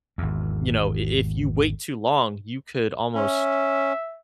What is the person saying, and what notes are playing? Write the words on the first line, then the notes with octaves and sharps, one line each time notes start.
you know, i if you wait too long, you could almost,
G#1 E2
C#4 E5